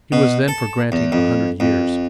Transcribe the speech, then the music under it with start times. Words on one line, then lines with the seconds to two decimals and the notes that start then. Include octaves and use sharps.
He was then for granting a hundred years.
0.12 B2
0.48 A4
0.92 E2
1.12 F2
1.60 F2